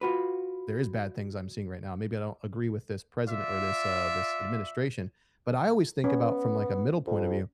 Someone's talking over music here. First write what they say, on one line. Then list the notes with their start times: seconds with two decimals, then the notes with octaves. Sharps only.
There is bad things I'm seeing right now. Maybe I don't agree with this president or this uh, this administration,” but I always think about from, like, a middle point of view.
0.01 F4 F#4 B4
3.28 F4 D5 E5
6.04 B3 C#4
7.07 F2